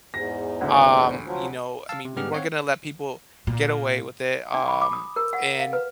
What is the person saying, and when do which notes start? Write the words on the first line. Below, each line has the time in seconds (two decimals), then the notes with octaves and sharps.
um, you know, I mean, we weren't gonna let people get away with it. Um, and
0.14 E2 G#2 A#6
0.61 D2 D3
1.26 F3 F#3
1.89 F5 A5 E6
2.05 C3
2.16 G#2 G3 B3 G4 G#4 F6
2.33 C4 C#5 F5 F#5
3.47 A#2
4.54 D4
4.68 B5
4.82 D6
4.93 D#6
5.16 A#4
5.33 F#5
5.59 F5
5.73 B4